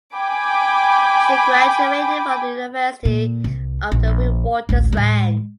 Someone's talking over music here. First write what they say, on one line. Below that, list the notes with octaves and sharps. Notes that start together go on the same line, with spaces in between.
She graduated from the University of the Witwatersrand.
G5 G#5 B5 D6
A#2
C2
A#1
A1 D2
A2 G#3